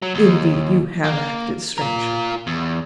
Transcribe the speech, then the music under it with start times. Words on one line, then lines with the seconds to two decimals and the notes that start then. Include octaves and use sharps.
Indeed, you have acted strangely.
0.02 F#3
0.15 D#2
1.04 A#3
1.78 F4 A#4
2.47 E2